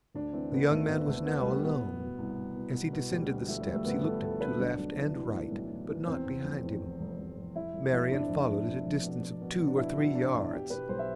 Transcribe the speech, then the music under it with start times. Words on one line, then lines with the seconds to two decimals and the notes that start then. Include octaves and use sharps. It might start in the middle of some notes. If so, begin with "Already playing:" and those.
The young man was now alone; as he descended the steps he looked to left and right, but not behind him. Marian followed at a distance of two or three yards.
0.14 D2 D4
0.33 E3 C4
0.52 D2 B3
0.70 D2 A3
0.89 D2 B3
1.07 D2 A3
1.26 E3 B3
1.39 G3
1.44 E3 A3
1.63 B2 B3
1.82 B2
2.00 B2
2.18 C2
2.37 C2
2.56 B2
2.75 B2
2.93 B2
3.11 D2 G3
3.30 D3
3.48 F3 A3
3.61 G3
3.67 F3
3.73 A3
3.85 D2 B3
4.04 D2 A4
4.22 D2 A4
4.41 D3 B4
4.59 B1 D4
4.78 B1
4.97 E3
5.15 A2
5.33 A2
5.52 B1
5.71 A2
5.89 E3
6.07 E2 C4
6.26 E2
6.45 F1
6.63 E2
6.81 E2
7.00 F1
7.19 F1
7.37 F1
7.56 F1 E4
7.74 F1
7.93 F1 E4
8.12 F2 D4
8.30 F1
8.48 F1
8.67 F2
8.85 F1
9.04 B2
9.22 B2
9.41 B2
9.59 B2
9.67 D4
9.78 B2 E4
9.97 B2
10.15 B2 D4
10.33 E2
10.52 B2 G4
10.70 B2 B4
10.89 B1 C5
10.99 E5